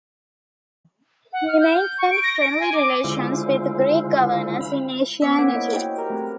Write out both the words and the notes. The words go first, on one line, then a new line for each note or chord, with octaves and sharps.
He maintained friendly relations with Greek governors in Asia and Egypt.
F#5
F6
G6
G6
C#6
D7
A#6
D7
G#5
D6
D3 G#3 E4 F4 C5
F5 B5
B3 C#4 C5 D6 E6 B6
A#3 A#4 C5 F#5 G#6 D7
E4 C5 C#5 D#5
F#4 G5
G4 A#4 C5 A#5
A3 C4